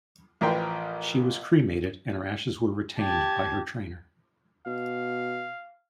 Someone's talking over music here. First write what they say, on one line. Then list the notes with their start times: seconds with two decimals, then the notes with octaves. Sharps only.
She was cremated and her ashes were retained by her trainer.
0.41 A1 F3 A#4 B4 G5 C6
2.99 G4 A5 G#6
4.66 B2 F5